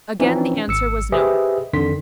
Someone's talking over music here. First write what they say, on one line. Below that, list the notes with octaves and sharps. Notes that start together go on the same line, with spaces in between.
Again the answer was "No."
E3 F3 C4 C#4 D#4
G#1 E6 C#7
G4 G#4 B4 C5 D#5 E5
F2 D3 D#3 C6 B6